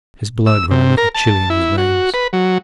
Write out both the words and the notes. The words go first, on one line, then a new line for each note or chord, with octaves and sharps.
His blood ran a little chilly in his veins.
E6
C3
A#4
A5
E4
F#4
B4
F#3